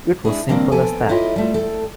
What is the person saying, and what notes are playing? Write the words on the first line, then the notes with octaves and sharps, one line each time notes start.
It was simple as that.
G#3 D4 E4 G#4
D#3 G3 G#3 A#3 C4 D4
F3 B3 A4 G5 G#5
F#3 E4 F4 G4 D#5
G3 A3 F4
A4 G5